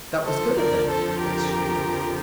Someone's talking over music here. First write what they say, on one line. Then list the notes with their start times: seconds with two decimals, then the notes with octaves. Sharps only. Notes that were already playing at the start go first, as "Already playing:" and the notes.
'That was good of them,' says she.
0.24 F2 D3 F3 A4 C5
0.56 A#4 D5
0.87 A4 C5
1.19 G4 A#4